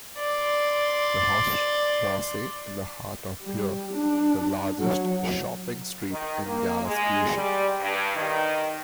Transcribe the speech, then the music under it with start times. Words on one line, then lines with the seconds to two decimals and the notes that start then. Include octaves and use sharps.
The Hochstrasse in the heart of Buer is the largest shopping street in Gelsenkirchen.
0.19 D5 C6
3.43 G3
3.93 D4
4.79 F#3
6.10 D#3
6.46 A#3
6.85 G#3
7.33 G3
7.79 G2
8.16 D#3